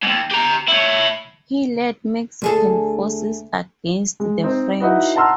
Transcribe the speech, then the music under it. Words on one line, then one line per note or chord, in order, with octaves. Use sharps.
He led Mexican forces against the French.
D#2 G#2
G4 A#5
E4 C#5
D2 G#4 A4
G#3
C4 D#4
D#4 E4 F#4 B4 D#5
F#5 A5 A#5 C6 E6 F6